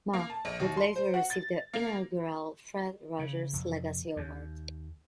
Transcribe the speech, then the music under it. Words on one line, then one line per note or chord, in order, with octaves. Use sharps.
Ma would later receive the inaugural Fred Rogers Legacy Award.
A#3
A5
A#1
D#2
C6
C5
F#4
A6
A#3
C#3
F1
D#2